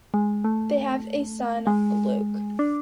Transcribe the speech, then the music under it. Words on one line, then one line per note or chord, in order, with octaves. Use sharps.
They have a son, Luke.
G#3
A3
G#3
D4